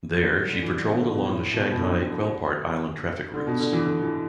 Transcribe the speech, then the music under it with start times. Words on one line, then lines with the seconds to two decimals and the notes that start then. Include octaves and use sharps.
There, she patrolled along the Shanghai-Quelpart Island traffic routes.
0.23 F#3
0.49 D3
0.62 E3
0.75 D3
0.88 B2
1.01 D3
1.14 B2
1.27 A2
1.53 B2
1.72 B2
1.78 D3
3.34 D3
3.47 B2
3.60 D3
3.73 E3
3.86 D3
4.03 E3